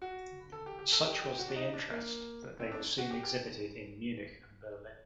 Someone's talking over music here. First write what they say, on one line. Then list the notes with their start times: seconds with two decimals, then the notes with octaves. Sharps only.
Such was the interest that they were soon exhibited in Munich and Berlin.
0.02 F#4
0.52 A4
0.66 G4
0.79 G4
0.92 A4
1.05 G4
1.22 G4
1.39 F#4
1.48 D4
1.56 D#4
1.73 D4
1.91 A#3
2.60 C4
2.72 D4
2.98 F#4
3.11 G4
3.24 G4